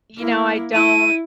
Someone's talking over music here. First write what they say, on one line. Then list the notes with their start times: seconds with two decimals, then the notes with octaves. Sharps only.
you know, I don't
0.18 A#3 E4
0.74 E4 D#7